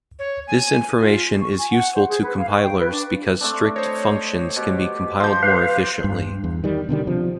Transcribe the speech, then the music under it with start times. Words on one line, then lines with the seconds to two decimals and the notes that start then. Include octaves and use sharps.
This information is useful to compilers because strict functions can be compiled more efficiently.
0.19 C#5
0.47 G#5
1.00 F4
1.40 C#6
1.58 G#5
1.71 F#5
1.95 C5
2.08 G#4
2.23 B4
2.38 F5
2.50 C#6
2.62 G5
2.79 B4
2.91 D4
3.41 A3 C4 D4
3.76 C5 C#5 D#5
4.56 B2 G4
5.20 F3 C6 G6
5.43 B4 F5
6.04 G2
6.44 E2
6.64 D#3 G3
6.89 B2 D3 D#3 G3
7.07 C3 F3